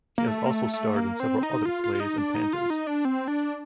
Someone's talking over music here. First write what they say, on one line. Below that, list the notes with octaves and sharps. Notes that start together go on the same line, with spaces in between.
He has also starred in several other plays and pantos.
A#3
A3
A#3
A3
A3
A#3
C4
D#4
F4
F4
F4
D#4
D4
D#4
F4
D#4
D4
C4
D4